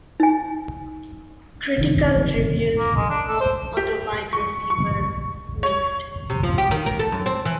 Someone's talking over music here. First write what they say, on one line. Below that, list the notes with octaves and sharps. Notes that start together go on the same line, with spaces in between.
Critical reviews of "Autobiography" were mixed.
D#4 G#5
F#1 C3 D#3
A#3
G#3
D4
A4
C5
G4
C#6
C#6
C#5
C3
F3
G4
D#3
A#4
A4
F#2
C4
E3